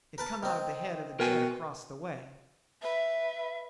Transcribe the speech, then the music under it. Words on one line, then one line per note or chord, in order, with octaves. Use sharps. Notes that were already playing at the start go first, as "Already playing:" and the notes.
It come out of the head of the gent across the way.
A#4 B4 A5
D#3 C4
B2 A#4 G5 G#5
B4 E5